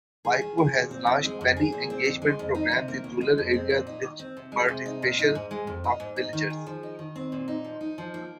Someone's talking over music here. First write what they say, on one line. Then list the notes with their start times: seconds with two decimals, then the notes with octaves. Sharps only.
Vaiko has launched many engagement programmes in rural areas with the participation of villagers.
0.25 G#4
0.42 D#3
0.58 G#4
0.74 A#2
0.91 C4
1.07 G#2
1.24 G#3
1.41 F2
1.57 G#4
1.72 A#2
1.90 C4
2.05 F2
2.22 G#3
2.39 F2
2.55 D#4
2.72 C3
2.88 A#3
3.04 D#2
3.21 G#3
3.38 F2
3.54 C4
3.70 A#2
3.87 D#4
4.03 D#3
4.19 C4
4.37 C3
4.52 G#3
4.68 C3
4.86 D#4
5.02 A#2
5.19 D#4
5.35 G#2
5.51 G#3
5.67 F2
5.84 D#4
6.00 G#2
6.16 D#4
6.33 D#3
6.50 G#4
6.67 F3
6.83 D#4
6.99 D#3
7.16 C4
7.32 A#2
7.48 D#4
7.65 F3
7.81 D#4
7.98 F3
8.14 A#3